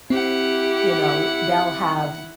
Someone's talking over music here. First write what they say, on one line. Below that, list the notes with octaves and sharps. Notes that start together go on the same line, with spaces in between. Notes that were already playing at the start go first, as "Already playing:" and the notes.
you know, they'll have
C4 E4 G4 F#5